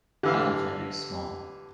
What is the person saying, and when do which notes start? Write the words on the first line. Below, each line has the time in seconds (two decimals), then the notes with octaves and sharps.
Eye very small.
0.23 D3 E3 G4 F5